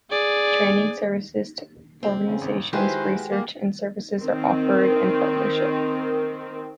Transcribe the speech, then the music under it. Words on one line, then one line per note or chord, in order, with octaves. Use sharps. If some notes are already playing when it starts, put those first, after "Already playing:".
Training, services to organizations, research, and services are offered in partnership.
G#4 D5
D2 C3 C4
E2 C#3
G#1
D#3 G#3 E4 F#4 G4 B4 C5
A#3
D#3 C4